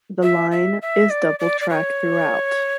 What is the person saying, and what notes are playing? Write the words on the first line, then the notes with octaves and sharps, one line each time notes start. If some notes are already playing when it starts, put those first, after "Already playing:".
The line is double track throughout.
E5
E5
E5
D5
D5
D5
C#5